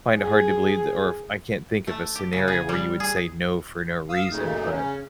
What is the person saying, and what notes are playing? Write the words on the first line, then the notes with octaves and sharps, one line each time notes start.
find it hard to believe that or if I can't think of a scenario where you would say no for no reason, but
G#4
A3
G4
C#3
G#4
G3
G#4
F5 D#6 E6
F#2 A#2 C#3 A3 D#4
C#3 C#4